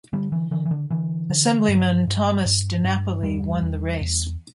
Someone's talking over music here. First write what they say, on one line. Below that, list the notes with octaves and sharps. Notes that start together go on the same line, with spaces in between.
Assemblyman Thomas DiNapoli won the race.
D3 G3
E3
D3 E3
E3
D3
D3 E3
D3
G2
G2
G2
G2
E2 G3
E2
E2